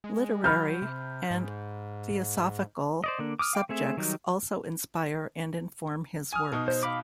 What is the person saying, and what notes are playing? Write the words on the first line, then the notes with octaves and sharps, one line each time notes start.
Literary and theosophical subjects also inspire and inform his works.
G#3
F#3 B5 F6 G6
C3
G#2
C5 D5 D#5
D3 A#3 D4
D6 D#6 F6
F5 G5 D6
A3 C4 G#4 E5
D#3 F#3 G3 D#4
G#5 D#6 F6
B2 D#4
C5
F5 B5 D6